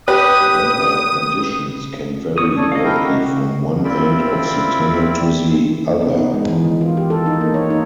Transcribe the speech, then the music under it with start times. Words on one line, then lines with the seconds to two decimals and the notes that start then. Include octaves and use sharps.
Weather conditions can vary greatly from one end of the tunnel to the other.
0.08 G4 B4 D#6 F#6
2.38 C#6 D#6
2.57 A4 C#5 D5
2.72 A#3 A4 D#5 F5
2.84 E4 A#4 G5
3.03 F#4 G4
3.84 C4 E4 F4 D5 G5 B5
6.02 B3
6.17 D#4
6.34 G#3
6.49 E3
6.64 D#3
6.81 F4
6.97 G4
7.10 A4
7.26 D#4
7.41 A#3
7.54 C#5
7.70 D#4